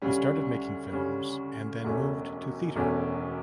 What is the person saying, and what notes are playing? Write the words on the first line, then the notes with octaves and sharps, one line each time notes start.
He started making films and then moved to theater.
D2 C#3 G3 C#4
D2 C#3 G3 C#4
E1 E2 B2 A3 C#4
E1 E2 B2 A3 C#4